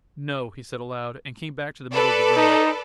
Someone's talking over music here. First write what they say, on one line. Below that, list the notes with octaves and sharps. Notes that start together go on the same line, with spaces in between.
"No," he said aloud, and came back to the middle of the room.
A4 B4 D5
D#4